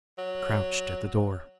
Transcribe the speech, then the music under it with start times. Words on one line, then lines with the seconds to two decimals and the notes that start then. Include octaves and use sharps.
Crouched at the door.
0.18 F#3